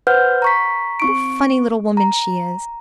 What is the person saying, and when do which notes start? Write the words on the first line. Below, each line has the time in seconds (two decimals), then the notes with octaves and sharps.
What a funny little woman she is.'
0.07 B4 C5 F#5 F6 G6
0.42 A#5 C#6 B6
1.00 C4 C#6 D7
1.97 A#5